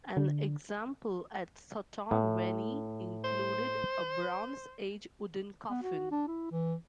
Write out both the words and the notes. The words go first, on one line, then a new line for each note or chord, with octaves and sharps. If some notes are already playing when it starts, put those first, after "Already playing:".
An example at Sutton Veny included a bronze-age wooden coffin.
D3
A2
C5
B3
F#4
D4
E4
E3